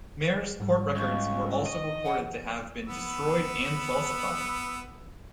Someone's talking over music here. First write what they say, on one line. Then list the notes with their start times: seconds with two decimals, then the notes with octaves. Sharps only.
Mayor's court records were also reported to have been destroyed and falsified.
0.60 G#2 G3
0.96 C#2 C#6
1.66 D#5
2.05 F#5
2.88 B3 B5 E6